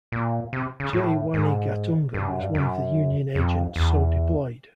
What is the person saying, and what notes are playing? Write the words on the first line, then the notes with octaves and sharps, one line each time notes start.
J. Wanigatunga was one of the union agents so deployed.
A#2
C3
C#3
A2
G#2
G2
F#2
G2
F#2
F2
E2